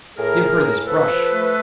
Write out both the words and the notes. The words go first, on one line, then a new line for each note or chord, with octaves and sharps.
Give her this brush.
A2 G#4 A#4
A2
A2
F3 A4 B4
F3
A3